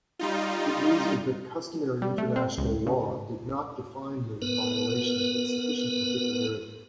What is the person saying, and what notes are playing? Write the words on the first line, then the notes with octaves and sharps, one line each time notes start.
It reasoned that customary international law did not define those violations with sufficient particularity.
G3 D#4 F4
G3
A3
C4
C#2
C#3
B3 A#4 B4